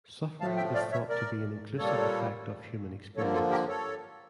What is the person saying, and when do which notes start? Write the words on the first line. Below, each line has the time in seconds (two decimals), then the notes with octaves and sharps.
Suffering is thought to be an inclusive effect of human experience.
0.40 A2 F3 A3 F5 A5
0.57 E5 G5
0.74 D5 F5
0.92 C#5 E5
1.09 A#4 D5
1.78 A#2 G3 A#3 A4 C#5
3.16 D3 F3 A#3 A4 C#5
3.33 F4 A4
3.51 G4 A#4
3.68 A4 C#5